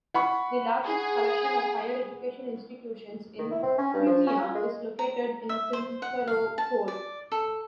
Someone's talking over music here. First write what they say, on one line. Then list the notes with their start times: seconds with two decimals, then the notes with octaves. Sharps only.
The largest collection of higher education institutions in Crimea is located in Simferopol.
0.14 F#5 B5 C#6
0.84 G#4
3.39 D#3
3.51 E4
3.63 C4
3.78 C#4
3.93 G2
4.06 F3
4.27 C#4
4.41 F4
4.55 G#3
4.99 A#5
5.49 E5
5.73 C5
6.02 F#5
6.27 F5
6.58 A5
6.88 D5
7.32 A4